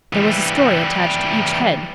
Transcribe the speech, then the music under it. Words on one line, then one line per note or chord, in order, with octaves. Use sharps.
There was a story attached to each head.
E3 G3